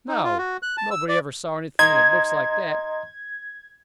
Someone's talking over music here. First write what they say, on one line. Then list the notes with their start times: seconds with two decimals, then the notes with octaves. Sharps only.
No; nobody ever saw anything in the books like that.
0.08 D#4
0.24 F4
0.38 F#4
0.63 F#6
0.77 A5
0.91 E6
1.09 D5
1.79 D#5 A#5 C6 G#6